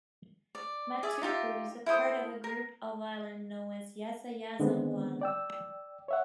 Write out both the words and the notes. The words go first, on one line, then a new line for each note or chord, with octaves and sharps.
Matuku is part of a group of islands known as Yasayasa Moala.
D5
G#4 D5 E5
D#4 F4 G4 E5
E4 A4 C5 D#6
A#4
D3 D#3 G#3 B3 C4 D4
D5 G5 E6
C#5 E5 F#5